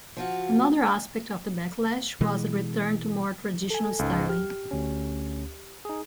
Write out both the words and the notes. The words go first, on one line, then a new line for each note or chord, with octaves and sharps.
Another aspect of the backlash was a return to more traditional styling.
F3 F4 F#4
B2 E3 G#3
A4 G#5
C#2 G#2
G4 F6
D2 C#4
D#4 G#4